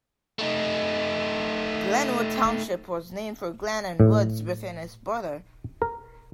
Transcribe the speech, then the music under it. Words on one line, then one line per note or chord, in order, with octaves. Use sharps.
Glenwood Township was named for the glen and woods within its borders.
A3 D#4
A2
A#4